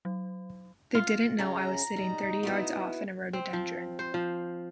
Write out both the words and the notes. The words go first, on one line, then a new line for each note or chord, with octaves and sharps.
They didn’t know I was sitting thirty yards off in a rhododendron.
F#3
F4
F#2 C#3 C#4 A#5
G3 D#4
B3 E4 F#4
C4
F3
C5
F3